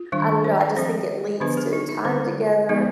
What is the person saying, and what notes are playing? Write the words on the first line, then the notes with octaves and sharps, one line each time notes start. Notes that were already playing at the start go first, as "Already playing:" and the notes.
I don't know, I just think it leads to time together
Already playing: F4
D#3 G3 D4
C5
D5
F3 C4 C5
D3 F3 B3 D4 B4
G#4
D#4
D#4
D3 G3 C4
F3 G#3 B3 D#4